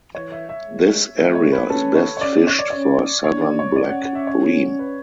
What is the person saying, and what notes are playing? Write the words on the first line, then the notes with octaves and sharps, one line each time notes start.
This area is best fished for Southern Black Bream.
E3 C#5
E5
E5
G#3
A3 E5
C#5
B4
C#4 A4
C#5
C#5
C#4 D5
C#5
D5
C#4 C#5
D4 C#5
D5
C#5
C#4 D5
F#5
F#5
E5
C#5
B4